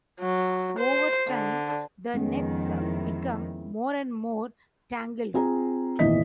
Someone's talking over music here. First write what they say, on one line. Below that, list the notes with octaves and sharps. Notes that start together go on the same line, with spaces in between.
Over time the nets become more and more tangled.
F#3
C5
D3
F2 D#3 G#3 B3 C#4
E4
C4 F4 G#4 A#5
G#1 E2 A#2 E3 D#5 B6